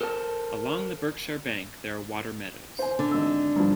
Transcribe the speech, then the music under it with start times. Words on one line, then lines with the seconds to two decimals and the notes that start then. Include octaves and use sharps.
Along the Berkshire bank there are water meadows.
0.01 A4 A#4 C5 F#5 A5
2.79 C5 G#5
2.99 D3
3.11 G#1 E6
3.56 G2 F3